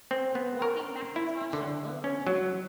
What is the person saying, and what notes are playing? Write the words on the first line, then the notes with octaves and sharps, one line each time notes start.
Walking Mackintosh of lonely canyon.
C4
B3
A#4
E4
D3
C#4
F#3